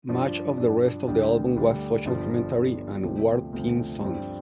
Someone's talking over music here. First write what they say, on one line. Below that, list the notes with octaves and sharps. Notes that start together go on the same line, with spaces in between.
Much of the rest of the album was social commentary and war-themed songs.
G2 F3 D4
G2 F3 D4
D2 D3 G3 D4
D2 D3 G3 D4
G1 G2 F3
G1 G2 F3
D2 C3 F3
D2 C3 F3
G2 F3 C4 G4